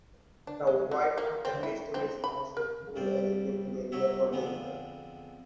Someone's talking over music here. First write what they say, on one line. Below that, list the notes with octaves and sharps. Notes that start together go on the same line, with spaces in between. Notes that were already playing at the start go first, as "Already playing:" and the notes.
The Whiteman family established Mussel Pool as a picnic area for their employees.
D4
G#3
F#3
A#3
C4
E4
C4
B5
A#4
C2 G2 C5 D5
C2 F#3 D#4 C#5 E5
F2 D3 G#3 B3